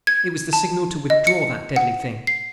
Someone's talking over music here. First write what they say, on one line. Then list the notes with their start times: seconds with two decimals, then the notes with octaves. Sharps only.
It was the signal to withdraw that deadly thing.
0.07 G#6
0.53 A5
1.10 D#5
1.27 C#7
1.76 F#5
2.27 C7